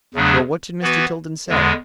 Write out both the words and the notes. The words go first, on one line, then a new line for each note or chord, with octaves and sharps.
"Well, what did Mr. Tilden say?"
E2 C#3 F#3 A3 D4
E3 B3 F#4 B4
E2 D3 G#3